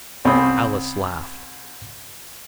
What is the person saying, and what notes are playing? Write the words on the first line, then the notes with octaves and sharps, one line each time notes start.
Alice laughed.
C2 C4 C#4 C5 B5 D#6